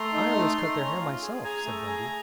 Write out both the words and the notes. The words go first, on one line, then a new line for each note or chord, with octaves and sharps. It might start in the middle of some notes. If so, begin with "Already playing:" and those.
"I always cut their hair myself," said Wendy.
Already playing: A3 A#5 C6
D#4
A3
A3
C#4
F4
G#4
G#4 G#5 A#5
A3
G#4